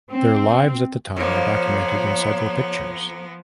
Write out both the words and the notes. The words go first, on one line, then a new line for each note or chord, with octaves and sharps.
Their lives at the time are documented in several pictures.
C4
F2 F3 A#3 B3 C#5